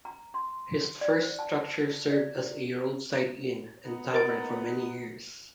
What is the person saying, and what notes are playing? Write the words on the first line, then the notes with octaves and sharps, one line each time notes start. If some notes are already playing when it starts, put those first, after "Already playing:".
His first structure served as a roadside inn and tavern for many years.
A#5
C6
D5
C5
A5
B4
D5
E4
B3 D#4
A#4 A6 D7